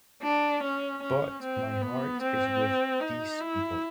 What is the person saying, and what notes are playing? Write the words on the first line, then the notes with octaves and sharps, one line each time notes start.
But my heart is with this people.
D4
C#4
C#4
C4
B3
C4
D#4
E4